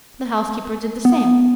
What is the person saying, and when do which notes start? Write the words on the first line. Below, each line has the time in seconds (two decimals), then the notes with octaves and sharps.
The housekeeper did the same.
1.05 B3